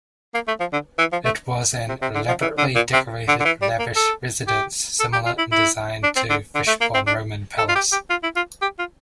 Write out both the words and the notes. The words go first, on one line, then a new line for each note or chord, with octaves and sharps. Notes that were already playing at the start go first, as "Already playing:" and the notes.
It was an elabotrately decorated lavish residence similar in design to Fishbourne Roman Palace.
A#3
A3
F3
D3
E3
F3
A3
C3
C3
D3
F3
E3
D3
A#2
C3
D3
D3
E3
G3
A#3
A4
G4
A4
G4
F4
E4
E4
D4
C4
D3
D3
A3
A#3
C4
D4
A4
F4
G4
G4
F4
E4
F4
G4
F4